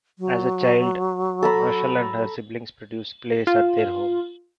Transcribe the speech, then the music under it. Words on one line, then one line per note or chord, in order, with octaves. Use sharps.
As a child, Marshall and her siblings produced plays at their home.
F#3
A4 A#5 B5
F4